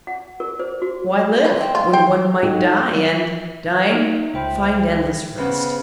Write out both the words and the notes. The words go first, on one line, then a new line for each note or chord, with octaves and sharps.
Why live, when one might die and, dying, find endless rest?
F#5
A#4
C5
F#4
E3 F4 B4
C4
F4
C5 G5
D4 D#4 F#4 G4 A4 D#5
F#3 E4 F#4
A#3 D#4 E5 F6
C#2 C5 E5 G5 B5 G6
C#3 B3 B4 C5